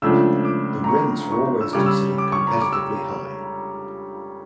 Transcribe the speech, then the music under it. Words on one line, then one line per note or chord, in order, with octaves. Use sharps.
The rents were always considered competitively high.
C#2 C#3 F3 A3 D4 E6
D6
A#5
C#6
C#6
E6
C#3 G3 C#4 D6
E6
D6
C#6
A#5
D6
E6